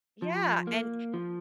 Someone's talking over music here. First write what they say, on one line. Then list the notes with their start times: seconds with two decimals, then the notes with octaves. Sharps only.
Yeah, and
0.22 F3
0.67 A#3
1.14 F3